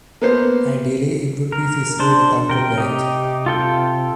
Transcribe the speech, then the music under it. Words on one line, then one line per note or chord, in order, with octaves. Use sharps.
Ideally it would be feasible without copyright.
A#3 B3 C5
A#4
D4 C5
C3 A#4 G5
D#4 G4
F4 A4 G5